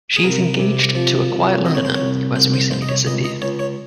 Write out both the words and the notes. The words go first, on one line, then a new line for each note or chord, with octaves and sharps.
She is engaged to a quiet Londoner who has recently disappeared.
G#4
C2 A#4
C3
F3
C2
C2 D#5
C#5
C5
C#5
C2
C2 C5
C5
C2 C5
D#5
C#5
C#2 D#5
D#5
C#2 C#5
C#5